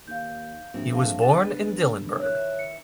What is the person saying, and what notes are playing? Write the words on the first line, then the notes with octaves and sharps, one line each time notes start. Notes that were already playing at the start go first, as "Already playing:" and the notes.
He was born in Dillenburg.
D#2 F5 G6
A#1 A2 C4 F#4
G#4 F5 A5
G1 B4 A6
D#3 E4 C#5 F#6
C#7